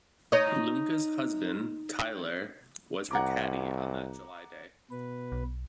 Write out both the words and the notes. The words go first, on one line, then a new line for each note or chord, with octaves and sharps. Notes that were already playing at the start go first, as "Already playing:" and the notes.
Lunke's husband, Tylar, was her caddie on that July day.
D#4 C#5 D#5
C2 F#5 A#5 D6
B2 B4
B1